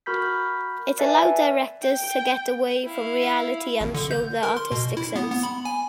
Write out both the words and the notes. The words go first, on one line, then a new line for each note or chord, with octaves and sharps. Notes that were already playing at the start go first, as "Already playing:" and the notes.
It allowed directors to get away from reality and show their artistic sense.
F#4 A#4 B5 G6 B6
B4 D5 E5 G#5 A5
G5
E4 F5
G#1
D3
G6
A#4
C6
B2
E4
B3
B3
B5
G#5